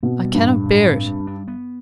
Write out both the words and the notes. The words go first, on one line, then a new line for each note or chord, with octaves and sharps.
'I cannot bear it.
B2 C4
G3
G2
A2
A2
C4
G3
D4
B3